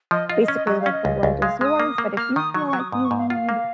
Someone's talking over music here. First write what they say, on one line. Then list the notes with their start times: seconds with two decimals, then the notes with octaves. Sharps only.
"Basically, like the world is yours, but if you feel like you need
0.11 F3 D#5
0.30 F4 D#5
0.42 D#5
0.48 C#4
0.55 D#5
0.67 F#3 D#5
0.80 F5
0.86 C#4
0.92 D#5
1.05 C#2
1.23 C#2
1.42 G#3 F5
1.61 G#3 D#6 F6
1.80 A#3
1.98 A#3
2.17 A#3 F6
2.36 D#3 D#6
2.54 F#3 C#6
2.67 C#6
2.73 F#3
2.79 D#6
2.92 G#2 D#6
3.04 C#6
3.11 G#2
3.17 F5
3.30 F4 F5 F#5
3.49 A#3